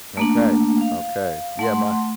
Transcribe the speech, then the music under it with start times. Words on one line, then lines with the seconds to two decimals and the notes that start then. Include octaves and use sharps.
Okay, okay. Yeah, my
0.17 A3 A#3 D4
0.81 F5
1.59 A3 F#5 C6